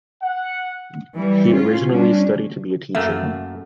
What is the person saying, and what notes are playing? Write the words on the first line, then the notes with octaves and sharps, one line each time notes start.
She originally studied to be a teacher.
F#5
E3 G3
C#4 F4
G3 C#4 D4
F#2 A3 A#3 E5